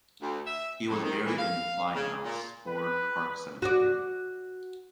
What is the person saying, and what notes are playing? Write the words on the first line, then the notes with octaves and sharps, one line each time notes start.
He was buried in Plymouth's Ford Park Cemetery.
D2
E5
F2
D#3
E3
F5
C#3
A#2
B4
F#4 D5